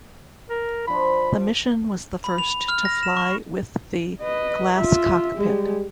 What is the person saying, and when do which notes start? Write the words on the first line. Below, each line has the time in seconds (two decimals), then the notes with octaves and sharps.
The mission was the first to fly with the "glass cockpit".
0.49 A#4
0.87 F3 D4 B5
2.24 B5
2.38 F7
2.68 F6
2.85 A#6
3.03 E7
3.17 C#6
4.22 B4 D#5
4.75 F4 E5
5.38 G3 G#3